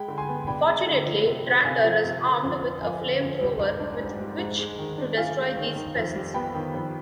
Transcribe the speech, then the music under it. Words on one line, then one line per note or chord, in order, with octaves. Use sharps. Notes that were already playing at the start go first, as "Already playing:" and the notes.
Fortunately, Trantor is armed with a flamethrower with which to destroy these pests.
Already playing: G#3 G5 B5
D3
G#5 C6
B3
D4 G5 B5
G#3
D3
F3
C3
C4
C3 F5 G#5
F3
C3
D3
F2
F3
F2 F5 G#5
D3
F2
G3
G#2
D4
G#2
G3
G#2
G#3
D#3
D4
F4 F5 G#5
G#3
D#3
D#3
F2
G3
B3 G5 B5
D#3
F2